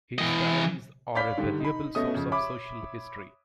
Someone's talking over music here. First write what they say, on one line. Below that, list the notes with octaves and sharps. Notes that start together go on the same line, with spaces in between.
His diaries are a valuable source of social history.
E3 D#5
C#5 D5 F5 B5 G6 B6
G#2 D3 D#3 G3
D#4 B5
B2 A3 C#4 D#5 D#6
F2 C#3
C#5 E5 B5 D6